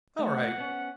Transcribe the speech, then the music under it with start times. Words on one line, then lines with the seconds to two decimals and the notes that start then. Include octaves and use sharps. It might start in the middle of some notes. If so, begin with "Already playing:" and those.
"All right."
0.19 A3 F#5
0.58 B3 C#4